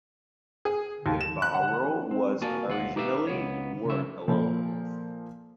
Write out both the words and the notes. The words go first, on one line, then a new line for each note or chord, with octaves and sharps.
The Baro was originally worn alone.
G#4
D#2
E7
F#6
F#5
C4
A#3 F#4 A#4 F5 G#5 A5
D#2 F4 F#5
D#4 G4 B4 C#5 E5 F5
C#2 B3 C#5
C#3 E5
A#2 F3 A#3 A4